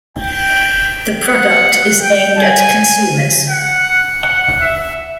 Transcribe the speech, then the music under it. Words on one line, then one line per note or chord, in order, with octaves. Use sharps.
The product is aimed at consumers.
G5
F#5
G5
G#5
F#5
F#5
E5